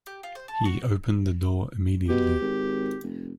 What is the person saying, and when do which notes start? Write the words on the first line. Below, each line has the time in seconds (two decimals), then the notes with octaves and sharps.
He opened the door immediately.
0.07 G4
0.23 F4
0.35 C5
0.48 A4
0.65 F#4
2.09 B2 G4
2.41 G#1
3.03 F1